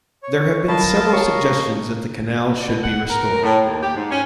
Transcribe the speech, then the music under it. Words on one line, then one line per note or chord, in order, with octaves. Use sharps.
There have been several suggestions that the canal should be restored.
C#5
F#3 G3 A#4 D#5 F5 A5 B5
F#4 G4 C#5 A#5 C#6
B2
F#5
A#4
A2
D#2
G4
G#2
C#4